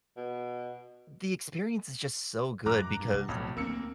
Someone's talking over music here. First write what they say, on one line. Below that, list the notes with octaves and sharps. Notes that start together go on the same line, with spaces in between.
The experience is just so good because,
B2
F#2 A#5 D6 F#6
G2
C2
B1 F2 A2
D2 A#3 C4 E6 C#7